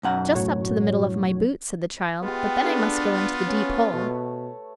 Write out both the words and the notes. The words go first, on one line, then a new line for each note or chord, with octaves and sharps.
"Just up to the middle of my boot," said the child; "but then I must go into the deep hole."
B1 F#2 F#5
A2 F#4 C#5
G#3 B3 F4 G4
A3 D4 G#4 B4
C#4
B2 A3 C#5